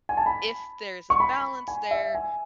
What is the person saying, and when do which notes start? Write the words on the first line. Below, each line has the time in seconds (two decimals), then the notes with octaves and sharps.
if there's a balance there
0.09 G#5
0.17 A5
0.26 B5
1.10 C#6
1.20 B5
1.68 G#5
1.91 E5
2.15 G#5